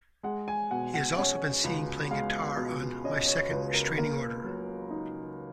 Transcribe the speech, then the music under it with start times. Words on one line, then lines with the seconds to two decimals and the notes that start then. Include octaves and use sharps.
He has also been seen playing guitar on My Second Restraining Order.
0.23 G#3 F#5
0.48 G#5
0.71 B2 F#5
0.94 F#5
1.17 C#4 F#5
1.64 C#2
2.10 G#3 F5
2.57 B2
3.04 C#4 D#5
3.27 C#5
3.51 C#2 B4
3.74 A#4
3.98 A#3 A#4
4.44 F#3
4.90 D#4